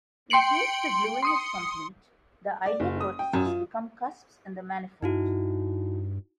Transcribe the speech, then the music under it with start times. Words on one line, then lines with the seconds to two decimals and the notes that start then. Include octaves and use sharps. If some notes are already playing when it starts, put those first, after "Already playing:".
In case the gluing is complete the ideal vertices become cusps in the manifold.
0.30 G5 C6 C#7 D7 F#7
1.23 C6 D#6 C#7
2.66 D5
2.80 F#1
3.01 D#6
3.19 G5
3.33 F#2
3.46 F4
5.02 G2 D#4 E4 F#4